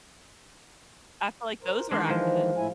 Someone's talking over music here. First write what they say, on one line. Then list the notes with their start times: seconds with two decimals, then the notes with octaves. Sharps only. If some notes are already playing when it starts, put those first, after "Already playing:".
I feel like those were active.
1.62 A#4 C5
1.91 D#3 E3 G#3 D4 C6
2.07 F3 G#3
2.57 A2 E4 G#5